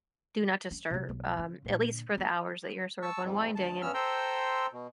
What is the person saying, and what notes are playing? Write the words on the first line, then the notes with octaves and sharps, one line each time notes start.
Do Not Disturb, um, at least for the hours that you're sort of unwinding and
C#4
C3 C#4
B1
C#3
A#2 D3
B3
A5 C#6 E6
F2 G#2
D2 A5
G2 B3 C#4 E6 F6
A4 C5 G5 A#5 C6 E6
B2